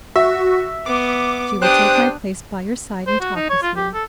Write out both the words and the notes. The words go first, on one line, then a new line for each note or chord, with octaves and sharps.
"She will take my place by your side and talk with you."
F#4 E5
B3 D6
D4 G4 C5 D#6 F#6
C5
F#4
D#4
C#5
F4
G4
A4